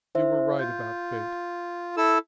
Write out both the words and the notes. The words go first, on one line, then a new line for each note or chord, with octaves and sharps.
You were right about Fate.
E4 C5 E5
F4 G6
E4 A4 E6